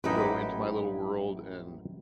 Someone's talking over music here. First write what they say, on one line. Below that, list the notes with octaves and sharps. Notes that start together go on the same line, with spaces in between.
go into my little world and
A1 F#2 D#4 E4 G4 B4